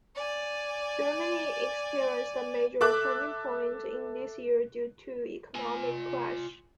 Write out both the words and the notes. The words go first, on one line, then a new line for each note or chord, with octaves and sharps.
Germany experienced a major turning point in this year due to the economic crash.
D5 G#5
A4 E5 D6 F#6
F4 G#5